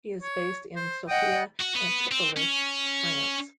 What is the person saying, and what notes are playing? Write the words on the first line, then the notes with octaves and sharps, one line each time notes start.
He is based in Sophia Antipolis, France.
C#5
C5
D#5 F#5 G5
F#4
B3
C4
C#4